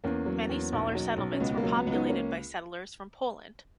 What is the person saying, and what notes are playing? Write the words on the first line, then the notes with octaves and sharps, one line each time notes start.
Many smaller settlements were populated by settlers from Poland.
E2 A#3 C#4
F#3
E2
B1
F#3
B1
C#4
C#2 B3
B3
A#3
F#3
B3
C#2
B3 D#4
A#3 C#4